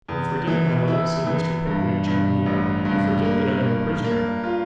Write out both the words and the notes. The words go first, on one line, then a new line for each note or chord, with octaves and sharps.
'You forget, my love,' said Mr. Pickwick gently, 'you forget that I am a prisoner.'
E2
E3
E4
E3
G2
G2
A1
G2
A#3
A#3
A#3
F4